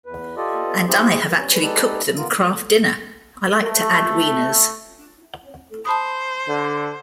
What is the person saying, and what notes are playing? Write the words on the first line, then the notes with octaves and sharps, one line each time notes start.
And I have actually cooked them Kraft Dinner - I like to add wieners.
E2 B4
F4 G4 A4 D5 D#5
E4 G4 G#4 C5
G3 C#4
G#3 D#4 G4 A4 B4 D5
B3 F4 A#4
A3
C5 A5 B5 D#6
D3